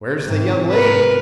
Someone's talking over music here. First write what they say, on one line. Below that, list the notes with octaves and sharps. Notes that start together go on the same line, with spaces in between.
"Where's the young lady?"
G#2 C3
A#4 B4